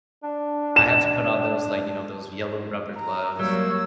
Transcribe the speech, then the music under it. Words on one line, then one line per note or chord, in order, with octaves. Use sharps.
I have to put on those like, you know, those yellow rubber gloves
D4
E7
A#5
F#3 G3 A#3 C#5 E6